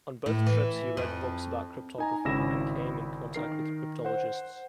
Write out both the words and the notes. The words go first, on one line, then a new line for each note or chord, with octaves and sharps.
On both trips, he read books about cryptography and came in contact with cryptologists.
A2
E3
F2
D#4 G#5 A#5
G#1 C#3 E4 E6 A#6 E7
D#3 A#4 C7
C5 F#5